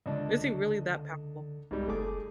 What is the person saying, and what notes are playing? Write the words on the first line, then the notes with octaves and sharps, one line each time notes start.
Is he really that powerful?
C#2 D3 D4
C2 G#2 G3
F#1 A3 G#4 D6